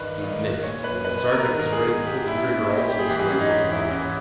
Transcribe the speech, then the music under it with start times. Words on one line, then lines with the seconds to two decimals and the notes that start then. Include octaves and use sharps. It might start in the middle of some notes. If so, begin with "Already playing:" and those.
He had missed, and when the sergeant was ready to pull the trigger also Slade was gone.
Already playing: G2 D#3 B4
0.22 G2 D#3
0.63 A#2 C#5
0.84 B4
1.05 A#2 B4
1.18 B4
1.32 A#4
1.45 G#2 D#3 B4
1.59 A#4
1.72 G#4
1.86 G#2 D#3 G#4
2.07 G4
2.27 A#2 E4
2.42 C#4
2.54 E4
2.68 A#2 D#4
2.78 G4
2.89 G4
2.99 G#4
3.09 G#2 E3 G4
3.19 G#4
3.30 C#4
3.40 D#4
3.50 G#2 E3 G4
3.71 E4
3.91 G#2 E3 C#4